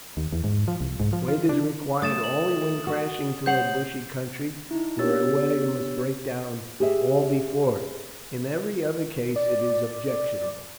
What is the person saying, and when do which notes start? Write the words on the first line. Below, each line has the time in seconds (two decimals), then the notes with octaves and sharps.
Weight is required only when crashing through a bushy country, where a wagon must break down all before it: in every other case it is objectionable.
0.17 D#2
0.33 E2
0.44 G#2
0.68 F3
0.81 C2
1.00 G#2
1.13 F3
1.28 F4
1.49 D4
2.02 A3 D#6 A6 E7
2.24 F#7
2.87 F#4
3.46 C5 C#5 F#5 G6 C7 F#7
4.71 D#4 E4
4.99 B3 D4 G4 C#5 E6 A6
6.80 G4 G#4 E5
9.36 D5